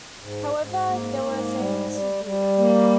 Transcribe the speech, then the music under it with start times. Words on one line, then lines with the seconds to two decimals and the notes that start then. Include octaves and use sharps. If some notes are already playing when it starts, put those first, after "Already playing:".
However, there were fans who booed.
0.22 G#2
0.56 G#2
0.89 A#3
1.23 G#2
1.57 G3
1.90 G3
2.24 G3
2.58 A#3